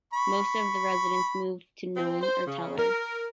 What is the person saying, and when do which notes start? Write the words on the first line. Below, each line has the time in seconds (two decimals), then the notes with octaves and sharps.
Most of the residents moved to Nome or Teller.
0.13 B5 C#6
1.96 C4
2.21 C5
2.47 C#3
2.78 A#4